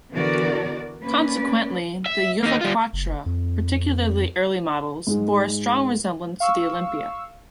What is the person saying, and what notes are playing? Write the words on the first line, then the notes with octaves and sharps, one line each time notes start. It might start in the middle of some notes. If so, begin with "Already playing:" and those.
Consequently, the Juvaquatre, particularly early models, bore a strong resemblance to the Olympia.
D3 E3 B3 F#4 A#4 D5
A#3 C#4 B4 D5
E5
A#3 D#4
G3 F4
F#1
F2
G#2 G#3
F5 C#6 E6